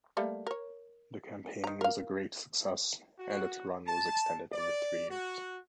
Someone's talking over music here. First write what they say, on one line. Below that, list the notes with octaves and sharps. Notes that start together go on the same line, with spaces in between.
The campaign was a great success and its run was extended over three years.
G3 A3 A#3
A#4 C#5
D#3 A#5
A#4 F5
F#4
A5
D5
F#4